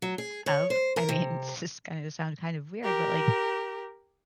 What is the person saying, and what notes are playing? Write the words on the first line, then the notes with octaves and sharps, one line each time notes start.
of I mean, this is gonna sound kind of weird, but, like,
F#3
G#4
C#5
C5
A#4
C3
G4 A#4